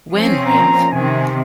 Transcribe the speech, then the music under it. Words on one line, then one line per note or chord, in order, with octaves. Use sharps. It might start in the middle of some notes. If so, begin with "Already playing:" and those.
When Rev.
F3 C4 C#4
A#2 A#5
C3 D#3 G#5